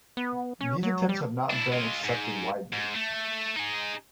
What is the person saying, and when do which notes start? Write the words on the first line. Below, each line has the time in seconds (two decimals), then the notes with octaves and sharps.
These attempts have not been accepted widely.
0.17 B3
0.61 C#4
0.83 F#3
1.09 G3
1.50 D4 E4
1.72 G#3 F4
2.05 G#2
2.73 G#2
2.95 A3
3.56 D#4 G#4